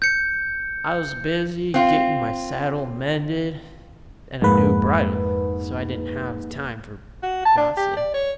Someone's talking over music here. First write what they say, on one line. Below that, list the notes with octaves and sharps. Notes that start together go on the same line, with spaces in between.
I was busy getting my saddle mended and a new bridle, so I didn't have time for gossip.
G6 C#7
C4 F4
F2 G#2 A#3 B4
F#4
A5
D4
G4
D5
C#5